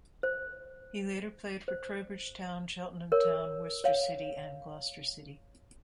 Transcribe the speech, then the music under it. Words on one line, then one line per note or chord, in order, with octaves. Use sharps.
He later played for Trowbridge Town, Cheltenham Town, Worcester City and Gloucester City.
C5
C5
A#4 C#5
C#5 F5